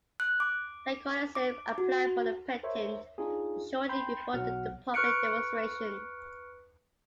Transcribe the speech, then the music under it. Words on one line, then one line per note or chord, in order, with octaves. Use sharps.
Tykonicer applied for a patent shortly before the public demonstration.
F#6
D6
D6
F#4
A#4 C5 C#5 E5
D4 D#4 F4 G#4
G5 B5 C6 G6
B1 B2 F#3 F#5 F6
B4 C#6 F6 F#6 C#7 D7